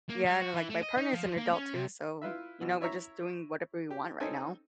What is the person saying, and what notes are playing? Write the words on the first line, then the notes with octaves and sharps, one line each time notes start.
Yeah, and like, my partner is an adult too, so, you know, we're just doing whatever we want right now.
A#3
G3
F#4
E3
A3
D#5
D#4
F3
A#3
C#4
C3
E4 F4 B4 E5
B2 E3 F3
E4 C#5 E5 A#5
G4
C4 C#4 D#4 A4 D#5 G#5